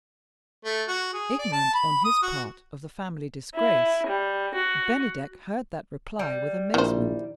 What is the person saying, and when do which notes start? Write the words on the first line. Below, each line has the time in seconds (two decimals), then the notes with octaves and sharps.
Ignorant on his part of the family disgrace, Bennydeck heard that reply with amazement.
0.65 A3
0.88 F#4
1.14 G#4
1.39 D5
1.53 A5
1.74 B5
2.04 D#6
2.22 F#4
3.56 E4
4.08 G3
4.55 F#4
6.19 G3
6.74 A#1 D#3 E4 C5